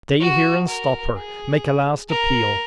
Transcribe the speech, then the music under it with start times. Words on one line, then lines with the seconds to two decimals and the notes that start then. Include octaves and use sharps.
'Stay here and stop her!--make a last appeal!
0.20 F#4
0.68 A#4
1.15 G#4
2.09 A#4